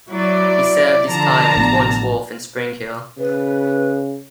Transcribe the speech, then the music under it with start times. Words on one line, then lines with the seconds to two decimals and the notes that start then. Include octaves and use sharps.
He served his time at Wandsworth and Spring Hill.
0.10 F#3 E4 D5
1.09 D3 F3 A5 A#5
1.56 A1 A2 B3
3.19 C#3 B4